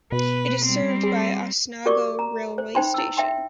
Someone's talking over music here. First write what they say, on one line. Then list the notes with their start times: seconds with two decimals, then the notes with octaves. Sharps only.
It is served by Osnago railway station.
0.12 B2 B4
0.64 G3 C4
1.03 G#4
1.86 F#4 G4 A#4 D5 C#6 D6
2.19 A#5
2.58 C5
2.75 D#4 C5 G5 B5 C6
2.94 E4 E6
3.17 E5 G5 C6